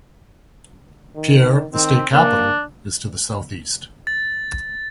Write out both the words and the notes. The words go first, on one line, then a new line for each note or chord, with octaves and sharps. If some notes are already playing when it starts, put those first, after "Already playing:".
Pierre, the state capital, is to the southeast.
D#3
D#3 C4
A#3 D4
A6